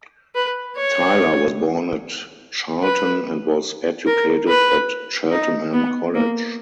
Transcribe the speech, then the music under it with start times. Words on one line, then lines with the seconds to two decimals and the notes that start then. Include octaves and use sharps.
Tyler was born at Charlton and was educated at Cheltenham College.
0.35 B4
0.76 C#5
2.83 B4
4.07 A#4
4.48 B4
5.31 D#4
5.73 B3
6.14 A#3